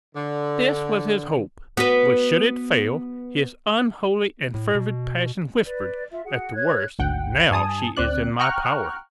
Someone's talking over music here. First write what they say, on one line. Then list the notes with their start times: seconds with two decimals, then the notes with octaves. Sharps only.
This was his hope: but should it fail, his unholy and fervid passion whispered, 'At the worst, now she is in my power.'
0.15 D3
1.77 B3 F#4 B4
4.54 A2
4.75 B2
5.64 B4 D5
6.11 F4 E5
6.25 F#4 G#4 F#5
6.54 C#5 F#6 G#6
6.99 G#1 D2 F#5 G5
7.51 G2 G#5 A5 D#6
7.96 D2 C4 D5 F#6
8.39 F#5 G5 A#5 C#6 F6 F#6